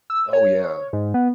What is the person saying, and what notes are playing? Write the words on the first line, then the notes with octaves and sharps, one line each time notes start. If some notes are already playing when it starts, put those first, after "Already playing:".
Oh, yeah.
E6
C#5
G#2
B3